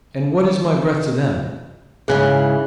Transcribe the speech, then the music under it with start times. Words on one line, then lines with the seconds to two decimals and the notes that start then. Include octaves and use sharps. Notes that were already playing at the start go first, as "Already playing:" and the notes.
And what is my breath to them?
2.08 G#2 C#3 E3 G#4 F#6